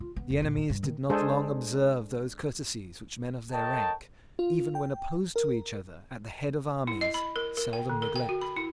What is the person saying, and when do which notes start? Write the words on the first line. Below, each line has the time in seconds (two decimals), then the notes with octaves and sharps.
The enemies did not long observe those courtesies which men of their rank, even when opposed to each other at the head of armies, seldom neglect.
0.01 F4
0.16 B3
0.30 F1
0.42 A#1
0.57 D4
0.70 G2
0.83 D#3
1.10 G#3 D4 G#4 A4 C5
3.52 A4 A#4 C#5 D#5 G5 A5
4.39 F4
4.75 G5
5.36 A#4
6.87 E4
7.01 D#5
7.14 B5
7.36 A#4
7.57 A#4
7.73 G5
7.89 D3
8.02 A#4
8.16 G5
8.29 F#4
8.41 B5
8.57 E4